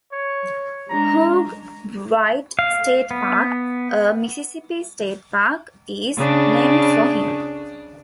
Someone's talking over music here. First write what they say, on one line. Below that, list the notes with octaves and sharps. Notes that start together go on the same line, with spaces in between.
Hugh White State Park, a Mississippi state park, is named for him.
C#5
G#3 D4 A#5
F5
B3
C#3 D4